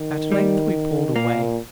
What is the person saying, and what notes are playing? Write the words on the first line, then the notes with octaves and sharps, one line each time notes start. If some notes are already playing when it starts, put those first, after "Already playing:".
At length we pulled away.
Already playing: D#3
G3
A#2 A#3